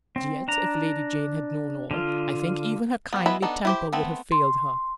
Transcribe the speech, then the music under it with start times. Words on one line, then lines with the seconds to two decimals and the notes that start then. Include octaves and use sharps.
And yet, if Lady Jane had known all, I think even her kindly temper would have failed her.
0.16 C4
0.48 D4 A#5
1.91 D3 F4
3.13 G3 B3
3.26 G#3 B3 E4 B4 B5
3.42 B3 D4 D#4 A4
3.65 E4 G4 C5
3.93 A3 B3 C4
4.32 C6